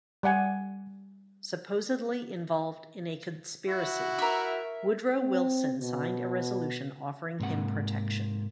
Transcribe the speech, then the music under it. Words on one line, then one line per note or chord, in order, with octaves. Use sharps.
Supposedly involved in a conspiracy, Woodrow Wilson signed a resolution offering him protection.
G3 D5 F#5 G#5
E4 F#4
A#4 E5
C4
B2
G#2 C3 A#3 F#5